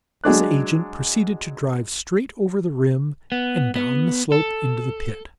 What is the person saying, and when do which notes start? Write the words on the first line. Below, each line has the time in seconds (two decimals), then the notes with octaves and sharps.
His agent proceeded to drive straight over the rim and down the slope into the pit.
0.24 F#3 G#3 D4 F#6
3.32 B3
3.76 B3
4.32 A4